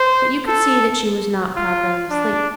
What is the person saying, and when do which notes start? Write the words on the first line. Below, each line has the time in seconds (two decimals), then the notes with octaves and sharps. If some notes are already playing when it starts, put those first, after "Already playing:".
But you could see that she was not properly asleep....
Already playing: C5
0.47 A4
1.56 F4
2.10 D4